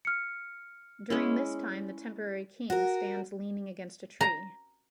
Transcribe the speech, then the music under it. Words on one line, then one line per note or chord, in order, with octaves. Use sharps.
During this time the temporary king stands leaning against a tree.
F6 C#7
G#3 C#4 E4
F#4 A#4
A#5